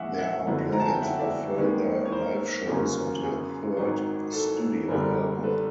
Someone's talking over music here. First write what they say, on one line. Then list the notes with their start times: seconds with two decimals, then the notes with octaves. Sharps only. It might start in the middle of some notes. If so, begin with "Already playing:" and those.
There are plans for further live shows and a third studio album.
Already playing: A#1 E3 G#3 E5 F#5
0.18 E5 F#5
0.46 F#1 F2 D3 F#3 B3
0.72 A#5
0.80 A5
0.86 G#5
0.94 G5
1.02 E5 F#5
1.19 D5 E5
1.57 D#2 D#3 G#3 B3
2.05 C#5
2.12 A#4 C5
2.67 G1 F#2 C#3 F#3 A#3
3.22 G#4
3.77 G#1 G#2 D#3 F#3
4.33 A4
4.60 A4
4.88 F#1 F#2 D3 G3 B3 G#4 A#4
5.43 A4 B4